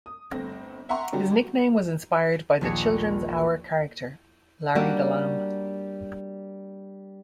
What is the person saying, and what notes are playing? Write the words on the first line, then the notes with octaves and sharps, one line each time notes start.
His nickname was inspired by the Children's Hour character Larry the Lamb.
D#6
G1 A3 C4 A#6
E5 F#5 G5 A#5 C6 C#6
D3 F#3 G3 F#4 G4
A#1 D#2 G#4 C#7
G3 A#3 D4 F#4